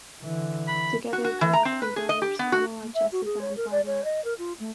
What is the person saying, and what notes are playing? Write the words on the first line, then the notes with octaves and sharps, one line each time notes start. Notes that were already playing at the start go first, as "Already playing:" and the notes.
Together they had three daughters, Pamela, Jessica and Barbara.
D3 E3
B5
F#4
F#4
E3
A#5
C4
B4
G#4
D#5
G4
B3
F#4
A#3
E5
F#4
G#4
C#5
A#4
D5
C#5
D#5
A#4
F4
A3